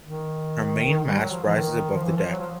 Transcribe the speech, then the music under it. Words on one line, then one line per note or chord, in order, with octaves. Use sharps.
Her main mast rises above the deck.
D#3
G3
F#3
F3
E3
D#3
F3
E3
F3
F#3
F3